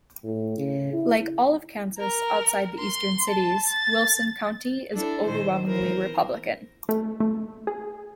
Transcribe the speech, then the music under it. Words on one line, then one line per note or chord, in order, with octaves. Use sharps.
Like all of Kansas outside the eastern cities, Wilson County is overwhelmingly Republican.
A2
C#3
E4
A#4
C6
A5
A6
D4 E4 A4
A#2 D#3 C5
E3 A#4 C5
A3
A3
G#4